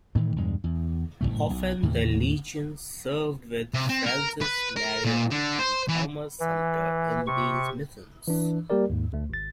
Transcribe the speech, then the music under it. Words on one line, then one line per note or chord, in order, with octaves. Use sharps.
Often, the Legion served with Francis Marion and Thomas Sumter in these missions.
A2 D#3 E3 A3
B1 E2 G2 G#3
E2
F#1 F#2 A2 A3
B1
D#2 A2 C#3 E3
C3
C4
A#4
B4
A#4
A#2
D3
C5
E3
E3
C3 C#6
E3 D4
G3 A#3 G4 A#4 D5
D#2 G#2
D2 A3
G#1 A6